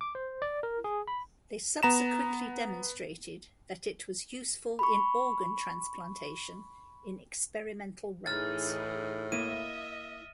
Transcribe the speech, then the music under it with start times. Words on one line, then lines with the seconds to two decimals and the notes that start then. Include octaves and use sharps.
They subsequently demonstrated that it was useful in organ transplantation in experimental rats.
0.01 D6
0.15 C5
0.42 D5
0.63 A#4
0.84 G#4
1.08 B5
1.83 B3 A#5 E7
4.79 B5 C#6
8.26 A2 E3 D#4 G#4 F6 A6
9.32 A#3 E4 D#5 E5 D#7